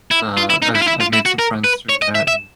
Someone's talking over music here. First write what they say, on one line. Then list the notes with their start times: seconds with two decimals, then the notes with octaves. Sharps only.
Uh, I've I've made some friends through that and
0.11 E4
0.37 F4
0.50 E4
0.62 D#4
0.75 E4
0.82 F4
0.88 E4
1.01 F4
1.13 E4
1.26 F#4
1.39 A#4
1.64 B4
1.89 C#5
2.02 D#5
2.15 E5
2.28 E5